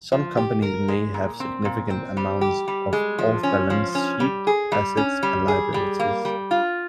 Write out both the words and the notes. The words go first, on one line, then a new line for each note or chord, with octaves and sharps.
Some companies may have significant amounts of off-balance sheet assets and liabilities.
F3
G4
A#4
G#3
A#2
C4
A#2
C4
G3
G4
G3
G#3
F3
C#4
F3
C#4
G3
G#4
G3
C#4
G3
G#4
G3
A#3
G3
F4